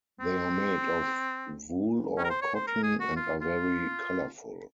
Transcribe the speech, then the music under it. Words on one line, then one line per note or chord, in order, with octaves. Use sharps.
They are made of wool or cotton and are very colorful.
C4
C#4
A#4
C5
C#5
C5
A#4
G#4
F#4
F4
F4